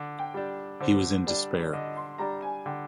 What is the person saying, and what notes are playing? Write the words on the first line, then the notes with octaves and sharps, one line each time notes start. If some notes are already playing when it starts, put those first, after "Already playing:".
He was in despair.
Already playing: D3
G5
G3 D4
D3 C5
G3 D4 D5
D3 D#5
C6
G3 D4 A#5
G#5
D3 G5